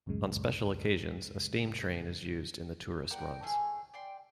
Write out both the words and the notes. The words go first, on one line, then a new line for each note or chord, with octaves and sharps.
On special occasions, a steam train is used in the tourist runs.
C#2 F#2 A2 C#3 G#3
A#4 D5 F#5 G5
A3 C#4 G#4
D5 G5 C6